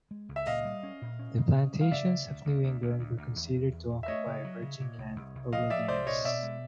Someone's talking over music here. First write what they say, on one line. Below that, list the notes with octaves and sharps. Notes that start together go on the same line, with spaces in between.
The Plantations of New England were considered to occupy "virgin" land or wilderness.
G#3
C#2
E5
A#2 D#5 F5
G3
C#4
A#2
C#4
A#2
C#4
G3
F5
C#3 D5 E5
D2
D2
D2
D2
D2
D2
D2
E2
E2
E2
E2
E5
A3 C#5 D#5
C#3
F#3
C#3
A#2
C2
C2
C2
F3 D#5 F5
F3 D5 E5
C2 C5 D5
A#2 C#5 D#5
B2 D5 E5
G#3